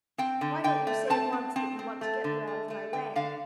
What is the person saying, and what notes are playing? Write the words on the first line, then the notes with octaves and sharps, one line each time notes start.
Why, don't you say at once that you want to get her out of my way?
C4 G5
D3
D3 G5
A3
C4 A5
C4
C4
C4
A3
D3
A3
A3
D3 G5
D3 F5